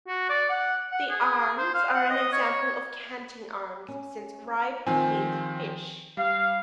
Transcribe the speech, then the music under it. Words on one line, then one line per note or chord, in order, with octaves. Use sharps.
The arms are an example of canting arms, since "ryb" means "fish".
F#4
D5
F#5
F#5
G#4
C5
F5
F#5
D#5
C#5
C#4
D#3 F3 C4 G#5
G3 F5